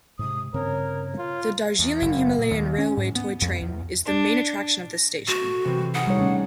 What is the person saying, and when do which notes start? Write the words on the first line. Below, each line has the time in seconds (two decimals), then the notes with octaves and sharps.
The Darjeeling Himalayan Railway Toy Train is the main attraction of this station.
0.19 G#2 C3 D#6
0.54 G2 C#3 C4 A#4 C#5
1.18 F4
1.79 E2
2.02 F#1
2.38 A#2
2.51 D#2
2.78 C#4
2.97 G#2
3.15 B3
3.41 F2
3.61 E2
4.06 D4
4.93 A#6
5.28 A3 F#4
5.65 C3 E3 C4
5.94 D#4 G#4 F5 F#5
6.07 D#1 G3 G#3 C#5
6.19 A3 C#4 D4